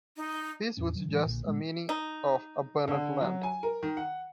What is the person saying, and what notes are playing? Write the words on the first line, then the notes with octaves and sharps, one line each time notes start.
This would suggest a meaning of "abundant land".
D#4
E2 A2 C#4
D#3 E3 F#3
A2 E3 G#3
A#1 A#2 D3
A#2 G#3 B3
D#4
D3
F#3
G#5
A#4
D#3
F#5